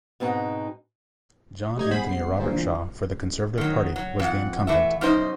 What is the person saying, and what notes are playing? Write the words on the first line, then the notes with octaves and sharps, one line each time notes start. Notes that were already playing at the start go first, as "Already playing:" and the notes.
John Anthony Robertshaw for the Conservative Party was the incumbent.
G#2 B2 C4 D#4
D2 D#4 G4 G#6
G3 G#3 B3 G#4 C5 B5
C7
G1 A#2 C5
E3 B3 D4
D#3 F#3
F#3
F2 F#5
E3 A3 E5
F#2 B2 D#4 C5